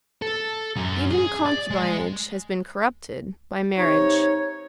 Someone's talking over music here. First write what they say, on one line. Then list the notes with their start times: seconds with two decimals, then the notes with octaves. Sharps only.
Even concubinage has been corrupted--by marriage.
0.22 A4
0.76 F#2 F#3
1.11 G#4
1.46 D5
1.71 G#3
3.78 C3 D#4 C#5